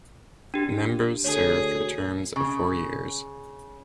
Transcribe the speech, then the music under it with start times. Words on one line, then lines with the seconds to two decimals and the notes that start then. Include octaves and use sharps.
Members serve for terms of four years.
0.54 D4 G4
1.24 D2 G#4 A4 C#5
2.36 C#3